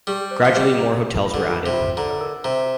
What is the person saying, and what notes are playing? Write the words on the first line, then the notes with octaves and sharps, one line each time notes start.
Gradually more hotels were added.
G3 G4
C5
F3
G3 G4
A#5
C6
F4
D3
F4
C3
F4
D3 A#5
A#4
C3 A#5